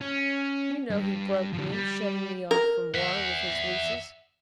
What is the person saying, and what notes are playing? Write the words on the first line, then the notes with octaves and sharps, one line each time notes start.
You know he broke me, shutting me off from water with his leases.
C#4
G2
D3 F3
G3
A#4
E5 F#5